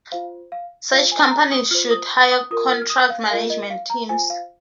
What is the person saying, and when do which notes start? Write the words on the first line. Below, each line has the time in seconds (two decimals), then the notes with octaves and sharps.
Such companies should hire contract management teams.
0.12 F4 C5 F5
0.52 F5
0.92 F4 C5 F5
1.12 G#5
1.31 A#5
1.51 D#6
1.71 F4 C5 F6
1.91 D#6
2.31 D#6
2.51 F4 A#4 D#6
2.71 F6
2.82 F6
2.90 D#6
3.10 F5
3.30 F4 A#4 F5
3.50 D#5
3.70 F5
3.90 A#5
4.09 F4 C5 G#5
4.30 F5